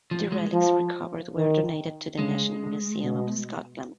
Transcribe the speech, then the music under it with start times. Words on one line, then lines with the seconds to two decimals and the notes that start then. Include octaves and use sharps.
The relics recovered were donated to the National Museum of Scotland.
0.11 F3
0.32 G#3
0.53 F3
1.36 D#3
2.18 C#3 G#3
3.01 B2